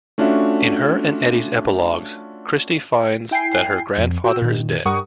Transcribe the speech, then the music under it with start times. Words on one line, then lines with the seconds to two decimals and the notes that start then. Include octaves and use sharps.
In her and Eddy's epilogues, Christie finds that her grandfather is dead.
0.18 A3 C#4 D4 F4 F#4 E5
3.31 E4 G5 G#5 C7
3.98 F2
4.24 F#4 G5 E6
4.42 A#2 D#3
4.85 G2 G3 A#4 F#5 C#6 D#6